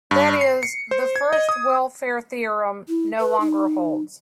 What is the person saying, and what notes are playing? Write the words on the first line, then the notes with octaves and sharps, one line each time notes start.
That is, the First Welfare Theorem no longer holds.
G2
C7
C#7
C5
G#6
D#5
D#6
E4
B4
D#4